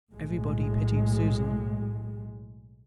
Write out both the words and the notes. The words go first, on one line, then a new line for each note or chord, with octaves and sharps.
Everybody pitied Susan.
B1 A2 G#3